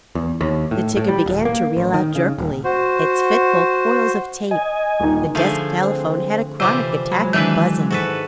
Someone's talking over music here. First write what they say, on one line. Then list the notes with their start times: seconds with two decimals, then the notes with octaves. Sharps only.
The ticker began to reel out jerkily its fitful coils of tape, the desk telephone had a chronic attack of buzzing.
0.15 E2
0.41 D#2
0.71 A2
0.97 A2
1.08 G3
1.26 D#1
1.45 A#3
1.77 A1
1.94 D#3
2.15 C#3
2.38 D#1
2.64 F#4 C5
4.51 D#5 G#5
5.00 D#1 D#4
5.35 D3 F3 A3 G#4 G#5
5.81 C4
6.60 C3 E3 F3 G3 C5 D6
7.12 F#3 G#3 B5
7.33 D#3 E3 D4 E4 B4
7.91 G#2 F#4 A4 B4